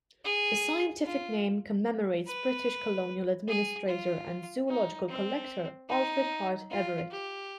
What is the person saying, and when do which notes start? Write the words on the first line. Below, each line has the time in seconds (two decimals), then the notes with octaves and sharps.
The scientific name commemorates British colonial administrator and zoological collector Alfred Hart Everett.
0.24 G#4
1.05 F4
2.26 B4
3.48 G#4
3.88 F4
4.68 D#4
5.09 C4
5.89 D#4
6.70 F4
7.11 G4